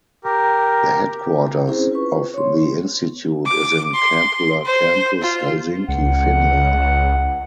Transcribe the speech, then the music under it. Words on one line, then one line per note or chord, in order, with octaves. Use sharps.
The headquarters of the Institute is in Kumpula Campus, Helsinki, Finland.
G4 A#4
C4 C#4 E4 G#4 C5
F4 B4 C#6
C#5 C6
D6
C6
C5
F4
C#2 F#5